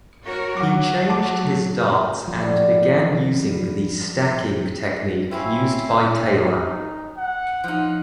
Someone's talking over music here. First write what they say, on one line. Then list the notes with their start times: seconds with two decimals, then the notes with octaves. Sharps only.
He changed his darts and began using the "stacking" technique used by Taylor.
0.25 F#4 A#4 C#5
0.57 F#3 F#5 D6
1.07 F#5 A5 D6
2.28 D3 F3 G3 B3
5.31 C4 C#4 E4 F5
5.87 A3
6.61 D#4
7.17 F#5
7.64 F3 D#4